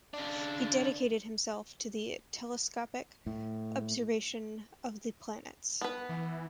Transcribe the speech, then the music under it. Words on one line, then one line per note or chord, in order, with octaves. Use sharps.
He dedicated himself to the telescopic observation of the planets.
C#3 D4
A2
B3 B4
E3